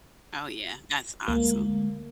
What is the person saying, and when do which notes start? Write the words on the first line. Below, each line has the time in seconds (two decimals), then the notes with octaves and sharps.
Oh, yeah, that's awesome.
1.28 D2 G#3 A#3